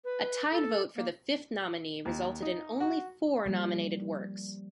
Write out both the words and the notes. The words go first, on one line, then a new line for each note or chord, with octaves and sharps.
A tied vote for the fifth nominee resulted in only four nominated works.
B4
A4
A#3
D#2
D#4
F#4
F3 G3 A#3